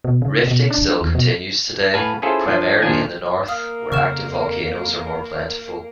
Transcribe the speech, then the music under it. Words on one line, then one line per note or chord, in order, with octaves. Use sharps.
Rifting still continues today; primarily in the north, where active volcanoes are more plentiful.
B2
C#3
B2
D4
E2
B2
A2 B4 F5 G#5 A5
C#4 E4 F4 G#4 A4 C5
F3 D4
D#2 A#2 F3 D4 G#5
A#3 A#4 F5 D#6 F6
F2 C#3 C#6 F6 E7